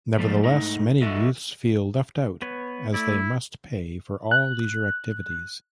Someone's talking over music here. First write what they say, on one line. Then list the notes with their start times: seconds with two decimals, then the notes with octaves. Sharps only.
Nevertheless, many youths feel left out, as they must pay for all leisure activities.
0.18 F3 G3 A3 A#3 A4
0.43 G#2 A3 D#4
1.02 F#4 A4 D#5 E5
2.42 B3 B4 C#5
2.94 A3 E4 D5
4.31 F#6